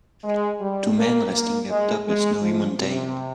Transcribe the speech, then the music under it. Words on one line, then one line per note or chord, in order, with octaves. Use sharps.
Two men resting uptop a snowy mountain.
G#3
G3
A#3
A#3
G#3
G#3
F3
C3